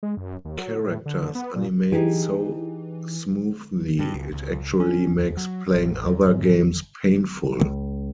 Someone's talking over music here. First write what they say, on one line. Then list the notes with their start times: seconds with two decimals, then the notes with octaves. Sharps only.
Characters animate so smoothly it actually makes playing other games painful.
0.03 G#3
0.17 F#2
0.45 D#2
0.58 F#3
0.79 A2
1.06 D3
1.35 B3
1.55 A#2
1.92 E3 D#4 G4 G#4
3.99 G2
4.14 C#2
4.32 C#2
4.80 C#4
5.17 D#2
5.37 F#3
5.75 A1
6.06 E2
6.28 G#2
7.59 C#2